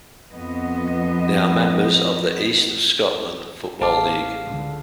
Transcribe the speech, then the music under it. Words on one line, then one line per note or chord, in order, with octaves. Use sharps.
They are members of the East of Scotland Football League.
F2 B3 D#5
A1 G#4 F5 A5 D6
C#2 D3